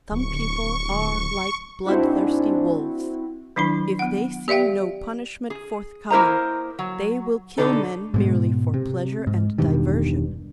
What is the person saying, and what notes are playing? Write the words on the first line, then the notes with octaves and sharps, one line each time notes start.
Some people are like bloodthirsty wolves: if they see no punishment forthcoming, they will kill men merely for pleasure and diversion.
D1 C#6
G#2 C4 D4 E4 F#4
D#3 F#3 D4 E4 B5
B3 F#5
G4 D5 E5 F5 G5
G#4
A#3 E4 A#4 C5 D#5 A#5
F#3
B2 D3 G3 D4 D#4 A4
G#2 B2 G#3
C3
G#2
E1 G2 B2 D#3